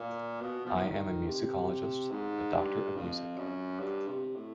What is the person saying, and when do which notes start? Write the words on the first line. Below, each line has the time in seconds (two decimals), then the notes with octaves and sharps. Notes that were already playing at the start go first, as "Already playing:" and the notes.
I am a musicologist, a doctor of music.
Already playing: A#2
0.41 B2
0.66 F3
0.74 E3
0.84 D#3
1.26 C3
2.11 G#2
2.52 G2
2.95 F2
3.37 F#2
3.79 G2
4.07 C3
4.35 A2